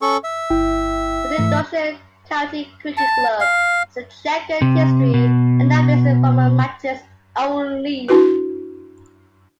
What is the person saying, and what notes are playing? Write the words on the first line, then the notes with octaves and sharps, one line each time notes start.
Huntingdonshire County Cricket Club has a chequered history and now plays informal matches only.
C#4 A4 C#6
E5
G1 E4 G5
G#2 E3 A3
A5
F5
C3
B2
D4 E4 F#4 B4